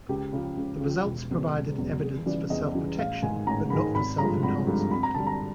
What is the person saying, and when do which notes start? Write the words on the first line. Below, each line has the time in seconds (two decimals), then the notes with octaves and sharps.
The results provided evidence for self-protection but not for self-enhancement.
0.09 C#2 G4
0.33 C#3 F3
0.57 C#2
0.81 C#3 F3
1.05 E1
1.30 E2 C#3 F#3
1.54 E1
1.78 E2 C#3 F#3
2.02 E2 G#4
2.26 C#3 E3 G3 D5
2.50 E2 D#5
2.75 C#3 E3 G3
2.98 A1 F5
3.22 G#2 D#3 G#3 G#5
3.47 A1 A#5
3.70 G#2 D#3 G#3 B5
3.95 G#1 B5
4.18 G2 D3 F3 G#3 A#5
4.42 G#1 B5
4.67 G2 D3 F3 G#3
4.91 F2 B5
5.03 A#5
5.14 D3 G3 A5
5.27 A#5